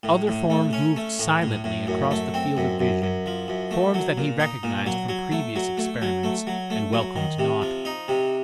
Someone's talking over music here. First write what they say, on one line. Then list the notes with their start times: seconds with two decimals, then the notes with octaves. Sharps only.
Other forms moved silently across the field of vision, forms that he recognised from previous experiments, and welcomed not.
0.03 A2
0.27 A2
0.50 A3
0.73 C#4
0.96 A3
1.19 A2
1.42 A2
1.64 A2
1.87 F#2
2.11 A3
2.34 C4
2.57 F#2
2.80 F#2
3.02 F#2
3.26 F3
3.48 F#2
3.71 A3
3.94 F#3
4.18 A#2
4.40 D#4
4.63 A#2
4.86 F#3
5.09 F#3
5.32 A3
5.56 F#3
5.78 A3
6.02 F#3
6.23 A3
6.47 F#3
6.70 A3
6.93 F#3
7.16 D#3
7.39 C3
7.62 F3
7.85 D#4
8.08 C3